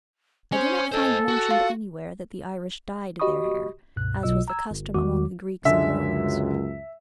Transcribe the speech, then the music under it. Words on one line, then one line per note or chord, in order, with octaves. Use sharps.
I do not find mentioned anywhere that the Irish dyed their hair, as was the custom among the Greeks and Romans.
C#4 G#4 C5
A4 C5 D#5
F#4
F4
F#4 G4 D#5 B5 C#6 D#6
C#2 G2 B2 F#6
B1 B2 F#3 F4 D#5 E6
A#5 E6 G#6
G1
E2 D#3 G#3 F#4 D6
C#2 F#2 D3 G#3 E5